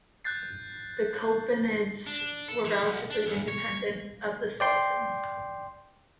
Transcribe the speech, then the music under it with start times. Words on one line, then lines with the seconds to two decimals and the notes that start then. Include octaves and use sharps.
The Chobanids were relatively independent of the Sultan.
0.25 F#6 G6 A6 C7
2.07 D4
2.48 A4
2.65 E3
2.82 B1
3.10 D4
3.26 E2
3.48 C#5
4.60 D5 G5 C6